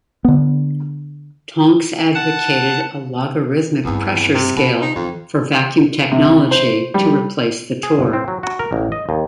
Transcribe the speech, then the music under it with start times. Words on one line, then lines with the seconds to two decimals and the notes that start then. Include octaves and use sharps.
Tonks advocated a logarithmic pressure scale for vacuum technology to replace the torr.
0.25 D3 B3
2.15 F#5 A5 F#6
3.85 E2 G2 C4
4.34 C3
4.56 B2 F4
4.81 D#4
4.96 F2 E3
6.11 C3
6.51 C5
6.94 G3
7.83 G#4
7.99 G1
8.13 C4
8.28 F#3
8.43 F#4
8.59 A#4
8.72 A1
8.92 D#5
9.09 D#2